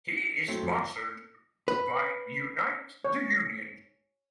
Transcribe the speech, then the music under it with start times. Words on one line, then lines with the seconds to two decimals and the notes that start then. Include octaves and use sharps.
He is sponsored by Unite the Union.
0.47 F#3 A3 C4
0.62 F2
1.68 B4
3.05 C#5